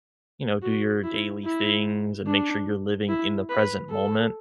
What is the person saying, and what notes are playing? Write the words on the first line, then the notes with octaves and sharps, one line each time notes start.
you know, do your daily things and make sure you're living in the present moment,
F#4
E4
E4
D4
E4
B4
A4